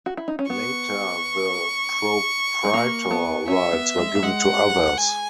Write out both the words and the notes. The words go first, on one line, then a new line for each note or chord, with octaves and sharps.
Later the proprietor rights were given to others.
F#4
E4
D#4
C#4
B3 C#6
G#3
A#3
B3
C#4 E5
B3
G#3
A#3
G#3 F#5
G#5